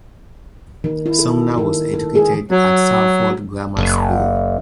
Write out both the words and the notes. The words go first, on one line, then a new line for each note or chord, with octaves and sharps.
Sumner was educated at Salford Grammar School.
D#3
E4
A4
D#3
A4
G#4
F#3
F#1